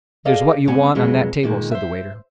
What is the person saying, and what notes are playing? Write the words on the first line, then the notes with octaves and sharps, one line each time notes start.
"There's what you want on that table," said the waiter.
G#4 A4 D5 D#5 F5
G2 D3 A3 C4 F#5 G#5
F2 B2 F#3 G#3
A#2 D3 D#3 G#3
C5 E5